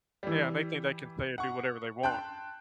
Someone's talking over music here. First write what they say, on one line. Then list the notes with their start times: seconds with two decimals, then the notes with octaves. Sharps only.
Yeah, they think they can say and do whatever they want.
0.23 E3 G3
1.38 F#5 C#6
2.03 G5 A5 C6 F#6